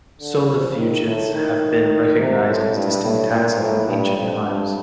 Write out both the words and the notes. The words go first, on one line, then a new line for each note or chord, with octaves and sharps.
Solifugids have been recognised as distinct taxa from ancient times.
D3
F3
D#3
A2
D#3
C3
A2
G2
A2
A#2
A2
G2
F2
G2